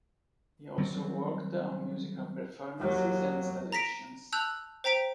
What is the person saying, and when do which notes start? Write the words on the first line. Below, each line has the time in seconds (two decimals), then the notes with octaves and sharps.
He also worked on musical performances and installations.
0.78 D#3 F#3 G3 C4
2.79 D#2 F#3
3.72 A#5 A#6 B6 D7
4.33 A5 E6 F#6 G6 F7 F#7
4.84 C5 G5 A#5 B6 D7